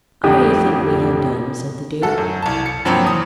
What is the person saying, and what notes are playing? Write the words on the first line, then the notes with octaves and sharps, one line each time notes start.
"I think we had done," said the Duke.
A1 F2 D3 G4 G5 D#6
D1 F#4 A4
F#2
C2 A5
C#7
G2 F3 F#3 A#3 C4
E2 D#6